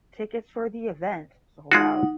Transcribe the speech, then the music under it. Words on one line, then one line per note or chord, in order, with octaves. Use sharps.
Tickets for the event sold out.
G#3 D#4 F4 F#4 F#5